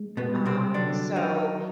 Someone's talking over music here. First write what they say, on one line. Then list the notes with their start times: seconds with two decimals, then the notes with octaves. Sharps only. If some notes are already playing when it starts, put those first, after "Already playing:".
Um, so,
Already playing: G#3
0.17 B2 B3
0.32 G3
0.46 C3 C4
0.74 D3 F#3 D4
1.16 D#3 D#4